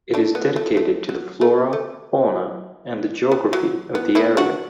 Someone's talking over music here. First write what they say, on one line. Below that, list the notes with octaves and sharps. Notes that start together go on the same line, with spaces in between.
It is dedicated to the flora, fauna and geography of the area.
A3 D4
B3
A3
A3
F#3
A3
A3
B3
F#3
B3
B3 E4
D4 F#4